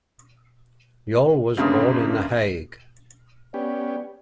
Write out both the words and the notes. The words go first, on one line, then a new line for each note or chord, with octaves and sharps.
Jol was born in The Hague.
G1 G2 C#3 A#3 C6 D#6
B3 C#4 G4 D5